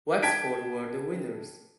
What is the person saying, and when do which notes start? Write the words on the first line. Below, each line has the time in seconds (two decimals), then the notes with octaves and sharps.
Wexford were the winners.
0.22 G5 A5 G#6 B6 D7